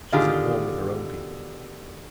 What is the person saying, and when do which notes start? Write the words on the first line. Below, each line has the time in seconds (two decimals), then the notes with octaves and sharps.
"She is at home with her own people."
0.12 B2 D3 D#3 F4 G4 G#4